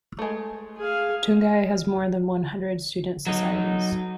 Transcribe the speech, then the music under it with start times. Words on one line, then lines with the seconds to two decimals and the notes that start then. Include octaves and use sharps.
Tunghai has more than one hundred student societies.
0.19 G#3 A3
0.78 G#4 F5
3.27 F#3 D#4